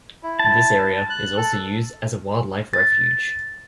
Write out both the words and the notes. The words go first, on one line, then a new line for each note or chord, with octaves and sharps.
This area is also used as a wildlife refuge.
E4
A5
F#6
A4
A6